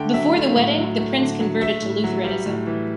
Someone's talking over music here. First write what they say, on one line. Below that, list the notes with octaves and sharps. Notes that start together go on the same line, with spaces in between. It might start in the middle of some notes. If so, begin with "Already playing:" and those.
Before the wedding, the Prince converted to Lutheranism.
Already playing: D3 A3 G5
F#3 E5
A3
A2
F#3
A3
D3
F#3
A3 E5
A2
F#3
G3
A2
E3